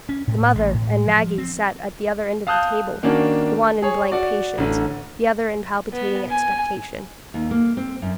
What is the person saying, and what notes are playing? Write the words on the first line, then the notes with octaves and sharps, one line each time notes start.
The mother and Maggie sat at the other end of the table, the one in blank patience, the other in palpitating expectation.
C#4
A2
A1
A2
F3
C4
F5 A5 D#6 F#6 G6
D#3 A#3 C#4 D4 F#4
G#4 C#5
F#4 D5
A1 D3
B3
G#5
D#2
A#3
C4
F#2